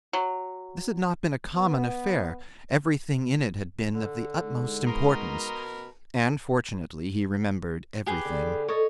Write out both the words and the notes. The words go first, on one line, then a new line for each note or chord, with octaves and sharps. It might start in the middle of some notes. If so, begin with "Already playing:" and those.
This had not been a common affair, everything in it had been of the utmost importance, and fortunately he remembered everything.
F#3
B3
D3
G#2
B2 A#4 A#5 C6 D#6
G4 G#4 B4
D3
A4 C#5 D#5